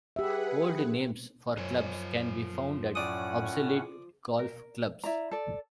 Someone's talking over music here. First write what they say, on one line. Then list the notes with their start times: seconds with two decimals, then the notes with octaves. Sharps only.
Old names for clubs can be found at Obsolete golf clubs.
0.16 G4 G#4 B4 E5 F#5
1.58 F#2 F4 C5 G#5
2.95 A2 C#4 D5 F#5 D#6
4.39 A#4
5.04 E4 D5 A#5
5.31 A4 D5